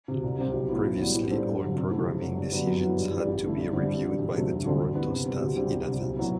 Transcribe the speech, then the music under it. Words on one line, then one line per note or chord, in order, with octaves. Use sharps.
Previously, all programming decisions had to be reviewed by the Toronto staff in advance.
D2 C3
C2
C3 G3 C4 G4
B1
A2 E3 B3 E4
B1
A2 E3 G3 B3
A2
G3 D4 A4 C5
G2
D3 F#3
C3
E3 A3 E4
F#1
F#2 F#3
G2
D3 F#3 B3 D4
F#2
E3 B3
G2
E3 G3
A1
G2 D3 A3 E4
G2
D3 G3 C4 E4
G2
D3 G3
E1
D2 C3 F#3 A3
E1
D2 D3 G3 C4
G2
E3 B3
C3
G3 C4
D2
D3 G3 C4 G4
C2
C3 G3
B1
A2 F#3 B3 E4